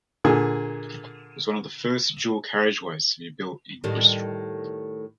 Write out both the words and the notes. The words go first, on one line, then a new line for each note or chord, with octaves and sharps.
It was one of the first dual carriageways to be built in Bristol.
A#2 D3 G#4
A2 D#3 G3